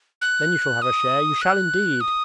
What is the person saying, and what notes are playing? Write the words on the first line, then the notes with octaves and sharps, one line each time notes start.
Then you shall have a share, you shall indeed!'
F#6
D#6
F#6
D#6